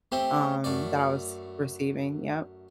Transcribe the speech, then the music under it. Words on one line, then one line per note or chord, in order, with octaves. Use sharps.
um, that I was receiving. Yep.
A3 C4 G4
F#2 A3 D5